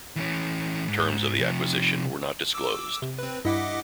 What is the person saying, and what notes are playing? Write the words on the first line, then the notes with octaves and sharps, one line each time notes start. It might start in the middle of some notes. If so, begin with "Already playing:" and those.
Terms of the acquisition were not disclosed.
E3 C#4
G#2
C3 F3
D6 E6
C3
C4 B4
G2 E4 D#5 F#5 D6 B6